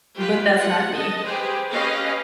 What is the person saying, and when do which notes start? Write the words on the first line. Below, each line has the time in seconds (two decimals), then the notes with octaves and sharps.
but that's not me,
0.15 F4 G4 B4
0.53 F4 F#5
0.92 D#5 A5
1.25 G4 G#4 B4 C5
1.71 C#4 G4 B4 D#5 F5